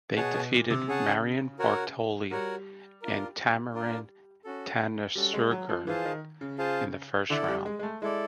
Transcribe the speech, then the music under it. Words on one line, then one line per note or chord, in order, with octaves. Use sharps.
They defeated Marion Bartoli and Tamarine Tanasugarn in the first round.
B2 G#4 C#5 F#5 A5
B2
A#2
C3
C#3 G#4 C#5 F#5 A5
F#4 A#4 C#5 F#5
G3 F#4 A#4 C#5 F#5
D4 F4 A#4
D4 F4 A#4
C#4 F#4 A4
G3 C#4 F#4 A4
G#3
F#3
F3
E3 F4 G#4 C5 F5 A5
D#3
C#3
F4 G#4 C5 F5 A5
D3 E4 A4 D5
G3
G#3
G#3
A3
G#3 E4 A4 D5